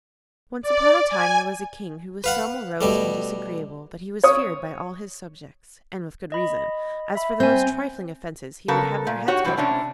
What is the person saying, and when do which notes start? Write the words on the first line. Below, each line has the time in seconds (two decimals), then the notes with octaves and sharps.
ONCE upon a time there was a King who was so morose and disagreeable that he was feared by all his subjects, and with good reason, as for the most trifling offences he would have their heads cut off.
0.61 D5
1.09 G#5
2.24 B4 F5 F#5
2.81 B2 G3 A3
4.24 C#5 C#6 D#6
6.32 D#5 B5
7.15 E5 B5
7.40 C4 G#5 G6
8.68 C#3 B3 A4 A#4
9.07 A#2
9.28 F#4 G4 C#5
9.44 G2 C3 E3 F#3 C4
9.57 A2 C3 C#4 D4 E4